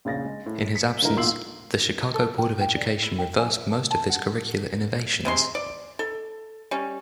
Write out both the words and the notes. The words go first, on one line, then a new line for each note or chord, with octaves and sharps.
In his absence, the Chicago Board of Education reversed most of his curricular innovations.
A#1 C#3 A6 A#6
G#3
A2
B6 C#7
D3 E3 F3 G#3 E4 A#4
B1 A#2 C6 E6 C7 F#7
A4
G5
G5
D5
E4
G5
G#5
E5
A5
A5
F#5
C3 G#3 C6
D5
A4
G3 C#4